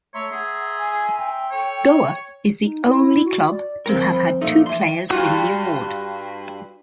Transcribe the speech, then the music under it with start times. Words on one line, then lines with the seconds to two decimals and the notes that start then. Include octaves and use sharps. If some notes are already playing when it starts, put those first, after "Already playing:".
Goa is the only club to have had two players win the award.
0.14 A3 C#5 E5 A#5 C6
0.33 G#4 F#5
0.79 G#5
1.18 G5
1.51 A4 C#5
2.63 D#4
2.86 E4
3.25 F#4
3.51 D5
3.86 F3 G3 C4 A#4
4.04 C5 B5
4.41 A#2 A3 D#4
4.66 E3 C6
4.80 G5
5.10 G2 F4 F#4